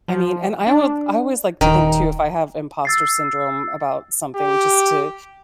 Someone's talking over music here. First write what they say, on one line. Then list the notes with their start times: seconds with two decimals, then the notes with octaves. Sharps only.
I mean, and I would I always like to think, too, if I have impostor syndrome about something, just to
0.08 F3
0.67 D4
1.61 D#1 D#3
2.85 E6 A6 C7
4.36 G4